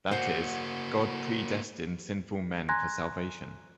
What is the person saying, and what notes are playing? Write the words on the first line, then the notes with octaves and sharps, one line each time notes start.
That is, God predestined sinful men for salvation.
A#3 F#4 C5 F#5
G#5 A#5 C6 F#6 G#6 A#6